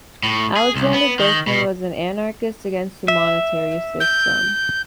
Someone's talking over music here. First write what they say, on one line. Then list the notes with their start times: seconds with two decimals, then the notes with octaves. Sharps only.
Alexander Berkman was an anarchist against the monetary system.
0.23 A2
0.56 G#4
0.75 C2
0.93 B3
1.19 D#3
1.47 B2
3.08 E5
4.00 G6